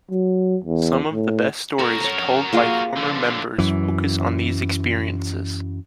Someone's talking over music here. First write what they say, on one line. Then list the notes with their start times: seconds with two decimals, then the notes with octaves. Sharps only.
Some of the best stories told by former members focus on these experiences.
0.11 F#3
0.65 E2
1.12 A2
1.79 F#4 A4 A#4
2.00 C#5 A#5
2.53 A#3 F4 G#4
2.97 D3 F3
3.58 F#2 E3